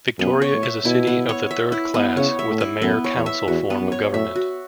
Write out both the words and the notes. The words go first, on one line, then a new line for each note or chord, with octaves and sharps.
Victoria is a city of the third class with a mayor-council form of government.
F#2 B3
C#5
A2
E5
B2 E4
B3
C#5
E5
E4
B3
C#3 C#5
E5
A2
E4
F#2 B3
C#5
E2
E5
E2 F#4
B3
F#2
C#5
A2 E5
F#4